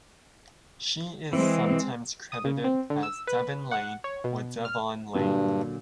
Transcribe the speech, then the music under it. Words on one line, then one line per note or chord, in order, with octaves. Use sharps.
She is sometimes credited as Devin Lane or Devon Lane.
E3 G#3 C4
D#6
C#3
C4
D3
E6
B4
F#5
C#5
B2
F6
G2 A#2 D3 F#3